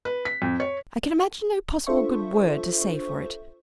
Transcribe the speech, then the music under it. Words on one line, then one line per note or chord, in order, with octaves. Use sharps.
I can imagine no possible good word to say for it.
B4
B6
F2
C#5
D4 F4 A4 C5 E5 C#6